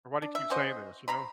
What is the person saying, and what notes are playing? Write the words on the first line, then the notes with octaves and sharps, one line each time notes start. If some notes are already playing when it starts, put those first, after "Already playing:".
"Why do you keep saying this," you know?
D4
E5
C#4 F#4 C5 D#5
C5 A#5 B5